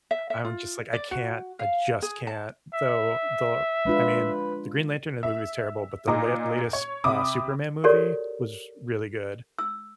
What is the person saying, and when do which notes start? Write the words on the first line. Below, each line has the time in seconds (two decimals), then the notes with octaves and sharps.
I'm just, like, "I can't. I just can't." Though the I mean, the Green Lantern in that movie was terrible, but the la latest, uh, Superman movie was really good.
0.11 E5
0.30 E5
0.45 F4
0.93 D5
1.11 F#4
1.59 F5
2.02 G#4
2.27 A5
2.74 E5
3.85 G#3 D4 F4 B4
5.23 E5
6.07 A#2 D#4 A#5 D6
6.73 C#5
7.04 C3 E5 B5 D6 D#6
7.84 F#4 G4 A4 A#4 C#5 D5
9.59 E6